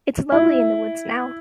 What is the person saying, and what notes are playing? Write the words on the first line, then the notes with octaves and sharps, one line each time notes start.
It’s lovely in the woods now.
E4